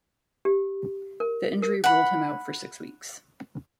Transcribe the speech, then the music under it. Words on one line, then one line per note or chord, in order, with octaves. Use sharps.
The injury ruled him out for six weeks.
G4
A#4
A#4
F#5 B5